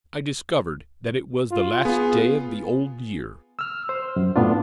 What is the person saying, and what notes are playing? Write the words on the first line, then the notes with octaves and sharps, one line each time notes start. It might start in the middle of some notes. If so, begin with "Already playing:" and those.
I discovered that it was the last day of the old year.
F4
B3 F4 G#4
E6 F6
C5
F#2
A2 B3 D4 F4